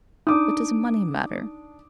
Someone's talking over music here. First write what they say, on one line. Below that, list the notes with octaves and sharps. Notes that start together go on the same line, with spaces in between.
What does money matter?
D4 D#4 D6 D#6